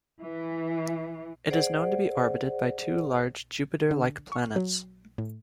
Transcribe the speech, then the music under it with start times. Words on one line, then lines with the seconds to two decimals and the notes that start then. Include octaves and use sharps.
It is known to be orbited by two large Jupiter-like planets.
0.21 E3
1.50 G#4 C5 D5 F#5
3.91 D3
4.32 C#6
4.56 F#3
5.18 A2